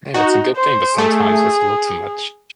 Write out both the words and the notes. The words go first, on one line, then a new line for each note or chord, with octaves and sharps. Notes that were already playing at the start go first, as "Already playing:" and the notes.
Yeah, it's a good thing, but sometimes it's a little too much.
D#4 F#4
C5
A3 G#4